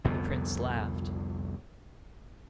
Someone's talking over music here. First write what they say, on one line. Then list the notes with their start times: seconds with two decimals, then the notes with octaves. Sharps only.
The prince laughed.
0.04 C2 F2 D3 B3